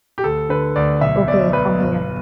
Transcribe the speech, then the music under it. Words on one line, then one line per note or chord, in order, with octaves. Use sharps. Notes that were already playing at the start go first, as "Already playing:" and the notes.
Okay, come here.
G4
D2 A4
D3 B4
D2 D5
B1 E5
B2 D5
B1 B4
G1